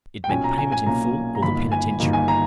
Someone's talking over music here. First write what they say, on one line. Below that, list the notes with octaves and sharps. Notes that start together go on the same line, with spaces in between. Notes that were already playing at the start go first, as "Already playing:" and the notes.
It meant payment in full or the penitentiary.
G5
B1 A#2 A#3 C#4 G#5
A#5
G#5
G#5
B1 A#2 A#3 C#4 A#5
A#5
G1 G2 D#3 A#3 B5
G#5
G1 G2 D#3 A#3
G#5
A#5